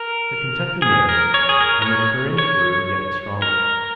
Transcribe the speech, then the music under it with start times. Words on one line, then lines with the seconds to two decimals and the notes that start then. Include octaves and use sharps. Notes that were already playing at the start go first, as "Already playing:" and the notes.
The Kentucky narrowed and the current grew yet stronger.
Already playing: A#4
0.82 G#4
1.09 A#4
1.34 C#5
1.49 G#4
1.61 A#4
1.82 A#4
1.86 C#5
2.38 C#5
3.42 A#4